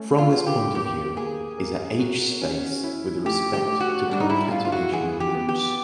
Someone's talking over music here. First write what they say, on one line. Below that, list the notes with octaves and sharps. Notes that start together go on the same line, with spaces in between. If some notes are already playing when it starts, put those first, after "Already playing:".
From this point of view, is a "H"-space with respect to concatenation of loops.
Already playing: A3 C#4
F4
B4
G4
A#3 G4
A#3 G#4
A#4
F#4
C#4
E4
A3 G4
G4
A3
F#4
G3 D4
D#4
E4
E4 F4
F4
F#4
E3 G#4
G4
B3
G4